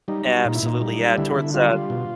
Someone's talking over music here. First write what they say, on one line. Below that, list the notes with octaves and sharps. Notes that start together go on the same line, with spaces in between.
Absolutely, yeah, and towards the
G3 D#4
G3
A#2 D#4
E4
A#2 D#4
G3
G3
D3 E4
D3
G3 F4
G3
B2